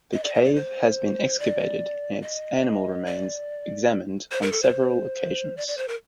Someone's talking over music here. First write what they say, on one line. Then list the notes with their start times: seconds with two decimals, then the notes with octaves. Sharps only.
The cave has been excavated and its animal remains examined on several occasions.
0.13 D#5
0.24 D5
0.34 D#5
0.44 D5
0.55 C5
1.39 D5
2.22 D#5
3.06 D5
4.31 C5
4.42 A#4
4.52 A4
4.62 C5
5.57 D5
5.68 D5
5.77 C5
5.88 A#4